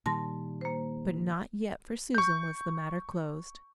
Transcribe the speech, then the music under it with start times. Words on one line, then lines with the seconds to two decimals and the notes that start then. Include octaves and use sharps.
But not yet for Susan was the matter closed.
0.06 A#2 D#3 G3 A5 C6 A#6
0.61 A#3 C5
2.15 C#6 G6